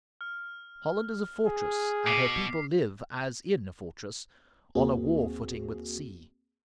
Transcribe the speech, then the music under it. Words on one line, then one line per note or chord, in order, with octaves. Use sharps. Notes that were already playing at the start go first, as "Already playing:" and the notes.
Holland is a fortress, and her people live as in a fortress, on a war footing with the sea.
F6
G#4
B2 D6 B6 C7
D#2 A#3 C4 F#4 G#4